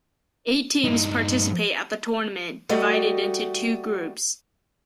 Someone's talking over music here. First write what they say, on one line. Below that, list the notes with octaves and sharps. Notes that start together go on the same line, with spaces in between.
Eight teams participate at the tournament, divided into two groups.
G2 D#4
G3 A3 F#4 D#5